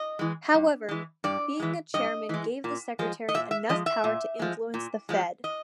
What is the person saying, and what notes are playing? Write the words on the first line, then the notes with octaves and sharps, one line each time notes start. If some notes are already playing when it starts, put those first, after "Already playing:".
However, being a chairman gave the secretary enough power to influence the Fed.
Already playing: D#5
E3 G#3
G2
E3 G#3
G2 D5
E3 G#3
G2 D#5
E3 G#3
A#2
F3 G#3
D#5
A#2 E5
E5
F3 G#3 D#5
E5
A#2
F3 G#3
A#2
F3 G#3
D#5